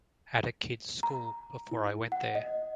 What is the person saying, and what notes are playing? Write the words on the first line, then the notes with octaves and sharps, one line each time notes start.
At a kid's school before I went there.
A#5
E4
F#5
D#5